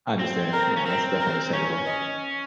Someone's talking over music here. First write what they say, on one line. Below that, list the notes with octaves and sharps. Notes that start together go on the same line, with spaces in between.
I understand. No, that's definitely understandable.
C4
A#4
C#4
C4 A#4
A#4
C#4 C#5
D#5